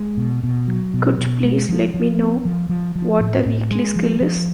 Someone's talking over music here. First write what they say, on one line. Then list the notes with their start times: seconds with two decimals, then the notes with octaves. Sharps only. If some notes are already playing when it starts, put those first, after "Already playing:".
Could please let me know what the weekly skill is?
Already playing: G#3
0.17 B2
0.44 B2
0.68 F#3
0.94 B2
1.18 B2
1.44 G#3
1.69 F3
1.94 F3
2.19 B3
2.45 F3
2.69 F3
2.96 F3
3.20 A2
3.46 A2
3.71 G#3
3.96 F3
4.21 F3